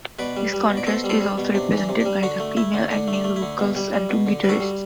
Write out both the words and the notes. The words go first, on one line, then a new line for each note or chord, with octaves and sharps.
This contrast is also represented by the female and male vocals and two guitarists.
B2 B4 D5
G3
G3
B2
D5
B2 A4 C5
G3
A4 C5
G3
B2
C3 D4
E3
D4
C3
D4
G3
D3 D4 F#4
A3
A3 E4
D3
D3 D4
A3
D4
A3
E4
D3
B2
G3
G3
B2
D3
G3 B4
F#4 A4
G3